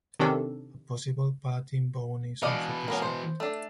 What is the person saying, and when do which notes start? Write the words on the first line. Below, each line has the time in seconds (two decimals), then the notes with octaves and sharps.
A possible palatine bone is also preserved.
0.19 C3 D#3 C#4 D4 A4
2.42 B2 E3 D5 D#5 F5
2.88 A#3 B3 C#4
3.02 C5
3.40 A3 D4